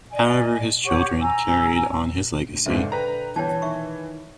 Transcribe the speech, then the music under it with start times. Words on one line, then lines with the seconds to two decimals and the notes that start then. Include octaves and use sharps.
However his children carried on his legacy.
0.12 D5 D#5 G#5
0.84 G4 C#5 F#5 C#6
1.20 G#5 A#5 E6
2.48 D2
2.66 C#2 G#2 D3 C5 E5
2.92 D3 B4 G5 A#5
3.36 G1 E3 C#5 G5 A5
3.62 D#3 E5 C#6